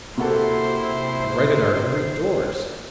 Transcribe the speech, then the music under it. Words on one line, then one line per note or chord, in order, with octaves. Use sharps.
And right at our very doors!
C3 A#3 E4 F#4 A4 C5 C6